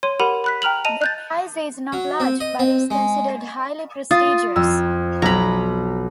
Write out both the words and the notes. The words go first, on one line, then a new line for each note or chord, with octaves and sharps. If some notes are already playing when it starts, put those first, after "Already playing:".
The prize is not large, but is considered highly prestigious.
C#5 C6 D#7
G4 A#4 F#5 B5 D#7 F7
B5 F#6 B6
G5 A#5 F6 F7 F#7
D#5 A5 D#7 F7
F#6 G6 A6
F#3
C4
D#5
C4
G#3
F4 D#6 A6
F2 E6
B1 A#5 B5